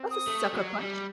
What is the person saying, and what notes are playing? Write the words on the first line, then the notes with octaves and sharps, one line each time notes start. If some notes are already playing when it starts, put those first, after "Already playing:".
That's a sucker punch.
Already playing: C4
D#6
A3
F#3
G3